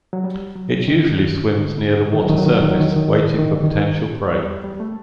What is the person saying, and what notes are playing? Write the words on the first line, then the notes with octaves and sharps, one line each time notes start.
It usually swims near the water surface waiting for potential prey.
F#3
G3
F#3
D#3
D3
D#3
F#3
D#3
F#3
D#3
F#3
D#3
F#3
D#3
F#3
D#3
D#3
D3
D#3
G3
G3
A3